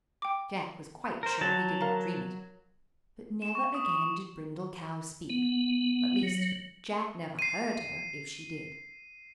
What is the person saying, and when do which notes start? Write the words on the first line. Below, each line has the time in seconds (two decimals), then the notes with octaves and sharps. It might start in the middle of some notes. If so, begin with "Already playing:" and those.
Jack was quite sure he did not dream it, but never again did Brindle Cow speak--at least, Jack never heard her if she did.
0.22 G5 D6
1.23 A#4 C5
1.41 F#3 A5
1.81 A#4 F5 A#5
3.42 E7
3.55 C#6
3.75 D#6
5.30 B3
6.23 F#3
7.39 C7 D#7